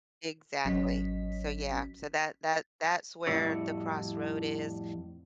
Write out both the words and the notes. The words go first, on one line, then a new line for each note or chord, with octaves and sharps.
Exactly. So yeah, so that that that's where the crossroad is,
G#1 F#3 C#4 C#5 D#5 B6
F2 A2 G3 E4 F#4 C#5